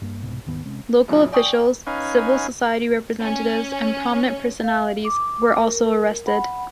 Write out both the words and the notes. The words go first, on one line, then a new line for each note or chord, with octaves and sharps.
Local officials, civil society representatives and prominent personalities were also arrested.
G2 A#3
E1 C2 G#2 B2
D#2 G#2 D#3 B3
C3 G#3 C#4
F#2 A#2 C#3
D5 G5 G#5 C#6 D#6
C#4 D#4 B4 F5 G#5
C#4
F5
D6
A#4
F#5 B5